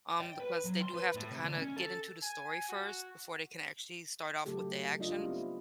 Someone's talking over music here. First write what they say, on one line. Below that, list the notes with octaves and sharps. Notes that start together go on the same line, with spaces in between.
um, because they do have to kinda get into the story first before they can actually start off with the action,
G5
B4
F#3
C6
B4
A2
C3
D3
C#4
A4
G#5
F#4
C#3 F#3 A3 G4 A4
G3 D4 F4 G4 D#5
B3 C4 E4